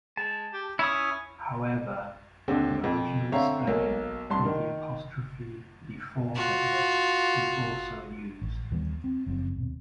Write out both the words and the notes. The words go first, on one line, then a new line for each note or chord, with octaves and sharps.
However, the original spelling with the apostrophe before the "s" is also used.
G#3 A5
G4
C#4 E4 D#6
D#2 D3 C4 D4
F2
D3 C4 C#5 E5 F5 A#5
B1 A#3
C2 G2 A5 C6
D#3
F4 F#4
A1
D#2 E3 G3 B3
C4
F#1 F#2 F3 C4
D#1 B2 C4